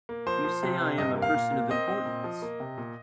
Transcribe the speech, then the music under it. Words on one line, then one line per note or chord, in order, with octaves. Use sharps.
You say I am a person of importance.
A#3
F3 C5
F3
C3
C3
G2 D#5
A#3
F5
A#2
A#3
C4 D#5
C4
A#2
F3
A#3
C3
A#2